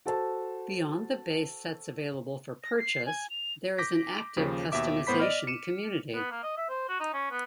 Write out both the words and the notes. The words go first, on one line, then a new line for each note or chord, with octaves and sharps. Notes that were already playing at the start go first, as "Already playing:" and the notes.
Beyond the base sets available for purchase, there is an active customization community.
F#4 A4 C5 A5
A#6
C7
G#5
F7
D6 G6 A#6 B6
D#2 C#3 F3
D#2 B2 E5 D6
A2 B3 C5 B5 B6
D5 D#5 F6
C#7 D#7 E7
B3
A#3
D#5
E5
C5
F#4
D#4
C#4
B3